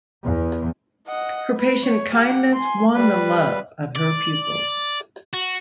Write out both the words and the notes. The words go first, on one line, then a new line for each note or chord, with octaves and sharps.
Her patient kindness won the love of her pupils.
E2
D#5 F#5
B4
C#5
G4 F#5
G#5 C6
G3 B4
D5
F#4